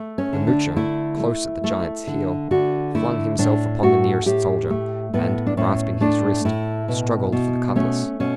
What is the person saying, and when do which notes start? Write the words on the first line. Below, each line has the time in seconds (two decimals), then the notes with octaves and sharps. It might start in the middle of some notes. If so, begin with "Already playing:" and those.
The Moocher, close at the giant's heels, flung himself upon the nearest soldier, and grasping his wrist, struggled for the cutlass.
Already playing: A3
0.18 C#4
0.33 D3
0.47 D4
0.76 A3 E4
1.20 A3
1.64 A3
2.07 D3
2.51 D3 F#4
2.95 A3 E4
3.38 A2 D4
3.83 A3 F#4
4.26 A2 G4
4.70 A3
5.14 A2 B3
5.47 D4
5.57 A2 C#4
6.01 A3 D4
6.45 A2 E4
6.88 B2
7.32 B2
7.76 A3 C#4
8.20 B2 C#4